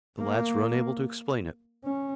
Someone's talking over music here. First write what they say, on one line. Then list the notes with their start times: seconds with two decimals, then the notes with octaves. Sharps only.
The lads were unable to explain it.
0.20 A#3
1.85 C#4